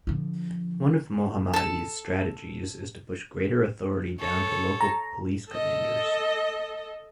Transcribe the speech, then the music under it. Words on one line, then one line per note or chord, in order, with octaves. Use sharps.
One of Mohammadi's strategies is to push greater authority down to local police commanders.
D3 F3
A4 A5
A4 C#5
A#5
A4 D#5